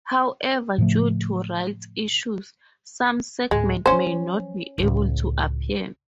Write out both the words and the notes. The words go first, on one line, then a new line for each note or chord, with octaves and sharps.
However, due to rights issues, some segments may not be able to appear.
A2 C#3 F3 A3
D2 A2 G#3
F3 F#3 C#4 C5
C#2 A2